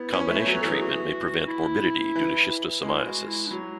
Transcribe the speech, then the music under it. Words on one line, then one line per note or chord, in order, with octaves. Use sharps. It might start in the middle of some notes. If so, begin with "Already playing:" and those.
Combination treatment may prevent morbidity due to schistosomiasis.
Already playing: B3 E4
C#4
A3
C#5
F#3 B4
E3 A4
G#4
F#4
E4
E3
G#3 E4
F#4
E4
D4
F#3 E4